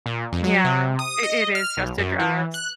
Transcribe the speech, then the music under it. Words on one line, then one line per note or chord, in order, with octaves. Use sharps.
Yeah. I it is just a dress.
A#2
F2
F#3
C3
D#6
D#5
F6
B1
F#2
E3
F#6